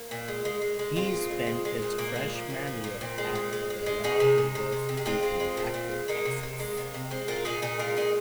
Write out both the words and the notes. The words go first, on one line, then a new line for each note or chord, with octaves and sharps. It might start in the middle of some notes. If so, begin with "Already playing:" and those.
He spent his freshman year at Baylor University in Waco, Texas.
Already playing: A#3
A#2
G#3
G#3
G#3
G#3
G#3 C4 F4
A#2
G#3
G#3
G#3
A#2
A#2 A#3
G#3
F3
A#2
F3
A#2
A#2 C4
G#3
A#2
G#3
G#3
G#3
G#3 D#4 G#4
C3
C3
C3
C3
C3
G#4
G#3 C4 F4
G#3
G#3
A#2
A#2
G#3
G#3 A#3 D#4
C3
C3
G#3
C3
C3
G#3 C4
A#2 F4 A#4
A#2 D#4 G#4
A#2 D#4 G#4
G#3 F4 A#4
A#2 D#4 G#4